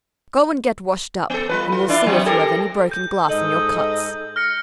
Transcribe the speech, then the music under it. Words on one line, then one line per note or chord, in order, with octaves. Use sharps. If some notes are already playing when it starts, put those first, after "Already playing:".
"Go and get washed up and we'll see if you have any broken glass in your cuts."
B3 A4
G3 F4 B4
F4
D4 E4 F4
F#3 B3 C4
G4 A4 A#4
G6
G#2 A4 D#5 F#7
F6 A#6 C#7